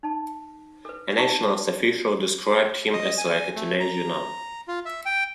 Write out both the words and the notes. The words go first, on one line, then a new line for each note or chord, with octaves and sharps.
A Nationals official described him as "like a teenager now".
D#4 A5
A4 B4
D#4 A5 A#5 C#6
D#5
G#5
A3
A#5
F4
E5
G5